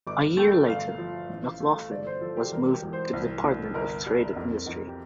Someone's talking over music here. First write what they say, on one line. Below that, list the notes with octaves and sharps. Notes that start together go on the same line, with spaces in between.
A year later, McLoughlin was moved to the Department of Trade and Industry.
G1 D6
A3 G5
G1 F5
F3
A1
A3
G1 D5
C5
F3 A4
G4
E1 A#4
G4
E1
C5
C2
C2
G1 A#4
G3
F2
F2
G4